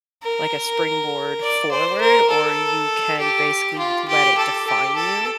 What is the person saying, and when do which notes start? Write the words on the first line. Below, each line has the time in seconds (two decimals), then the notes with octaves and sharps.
like, a springboard forward, or you can basically let it define you.
0.23 A#4
1.42 D5
1.71 C5
2.01 A#4
2.31 A4
3.19 G4
3.79 F4
4.08 G4
4.38 A4
4.68 G4
4.96 A4